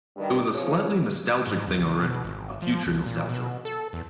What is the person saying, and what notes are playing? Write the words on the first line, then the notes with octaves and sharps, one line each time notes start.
It was a slightly nostalgic thing already, a future nostalgia.
G2 D#3 G3
E2 F3 G#4 C#5
G#2
E2
C#2
B2
G#1
F3
C2
A#2
B2
A4
E2